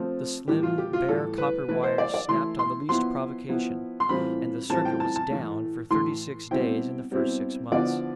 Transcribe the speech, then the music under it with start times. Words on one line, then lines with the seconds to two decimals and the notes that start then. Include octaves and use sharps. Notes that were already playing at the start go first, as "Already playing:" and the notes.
The slim, bare, copper wire snapped on the least provocation, and the circuit was "down" for thirty-six days in the first six months.
Already playing: F3 A3 C4
0.48 A2 E3 G3 G4
0.63 F4
0.78 G4
0.93 F4
1.08 A2 E3 G3 A4
1.38 B4
1.68 E3 A3 E4 B4
1.83 C5
1.98 D5
2.14 D5
2.28 E3 A3 E4 C6
2.59 C6
2.89 F3 B3 E4 C6
3.49 F3 B3 E4
4.00 C6
4.09 A2 E3 G3 C4 F4 B5
4.70 A2 E3 G3 C4 F4 A5
4.85 G5
5.00 A5
5.16 A5
5.30 A2 E3 A3
5.90 A2 E3 A3 C6
6.51 B2 G3 C4 E4 G5
7.11 B2 G3 C4 E4
7.71 D3 F3 B3 E4 D5